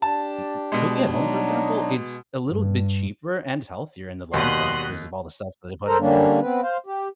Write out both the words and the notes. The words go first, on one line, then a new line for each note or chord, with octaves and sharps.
c cooking at home, for example, it's a little bit cheaper and is healthier in the long run 'cause of all the stuff that they put in there,
D4 G4 A5
B2 G#3
F#3 D4 D#4
G2
D#2 B2 G3 D#5 C6 F#6
A4 A#4 C5 A#5
D3 G3 A#3 C#4 D4
B3 C4 B4
C5 F5
G4